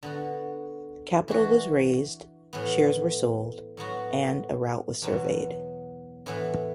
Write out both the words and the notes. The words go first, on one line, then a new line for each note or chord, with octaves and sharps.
Capital was raised, shares were sold, and a route was surveyed.
D3 B3 F#4
E3 D4 F#4
A2 E3 B3
A2 F#3 B3 F#4
E2 B2 F#3 B3
A2 E3 B3 E4